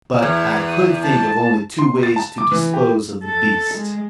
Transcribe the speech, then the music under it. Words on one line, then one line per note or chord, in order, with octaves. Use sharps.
But I could think of only two ways to dispose of the beast.
E2 G#6
D#7
A5 A6
C6
A6
A5
D6
E3
G4
A4
G#3